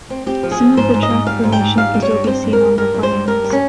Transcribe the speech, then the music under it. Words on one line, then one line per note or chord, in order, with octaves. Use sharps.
Some of the track formation can still be seen on The Plains.
C4
C4 G4
F3
G#4
F3
G#2 C5
G#2
D#5
G#2
G3 F5
G#2
G5
G#2
G3 F5
G3
C#5
G2
C4 C5
G2
A#4
G2
G2 A#4
G2
C5
G2
G2 A#4
G3
C#4